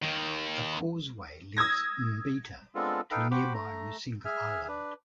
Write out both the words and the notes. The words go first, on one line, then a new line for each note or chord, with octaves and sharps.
A causeway links Mbita to nearby Rusinga Island.
D#2 D#3
D#6 E6 G#6 A#6
G#3 B3 C4 D4 F4 A4
D#4 A4 B4 F5 G5
F#4 G4 C5 F#5 B5 D6
A3 A#5
G#4 E5 G#5 F6
D4 B4